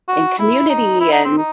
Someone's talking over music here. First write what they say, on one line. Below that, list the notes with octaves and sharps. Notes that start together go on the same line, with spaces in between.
in community, and
F#4
E4
D#4
E4
D#4
C4
D#4